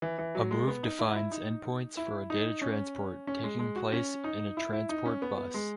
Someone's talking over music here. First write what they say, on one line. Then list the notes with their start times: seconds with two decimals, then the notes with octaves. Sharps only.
A move defines endpoints for a data transport taking place in a transport bus.
0.02 E3
0.19 E3
0.35 F#3
0.51 G#3
0.68 B3
0.83 D#4
0.99 E4
1.16 E4
1.32 D#4
1.97 E4
2.30 D#4
2.62 C#4
3.27 C#4
3.44 G#3
3.59 G#3
3.76 F#4
3.92 C#4
4.24 D#4
4.57 E4
4.73 E4
4.89 D#4
5.05 C#4
5.22 B3
5.38 B3
5.54 G#3